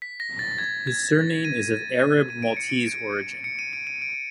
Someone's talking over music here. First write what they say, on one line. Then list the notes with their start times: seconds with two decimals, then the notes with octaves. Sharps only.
His surname is of Arab Maltese origin.
0.02 B6
0.20 A#6
0.39 A6
0.58 G#6
0.87 G#6
1.15 A6
1.45 D#7
2.30 D#7
2.42 D7
2.57 C#7
2.69 D7
2.87 D7
3.44 C#7
3.59 D#7
3.73 D7
3.87 D#7
4.02 D7